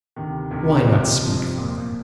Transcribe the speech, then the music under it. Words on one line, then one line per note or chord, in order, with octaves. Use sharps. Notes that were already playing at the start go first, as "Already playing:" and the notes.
Why not speak, Father?
D2 C3 D#3
D2 C3 D#3
F2 C3 F3 C4
F2 C3 F3 C4
A#2 F3 A#3